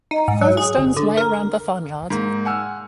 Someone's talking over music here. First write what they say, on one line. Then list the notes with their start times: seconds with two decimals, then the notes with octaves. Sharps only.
Further stones lie around the farmyard.
0.11 D#4
0.28 G#2
0.41 F#3
0.57 G#4
0.78 G1
0.97 D3
1.17 A#4
2.10 G#2 A#3
2.45 F#5 G#5 E6 F6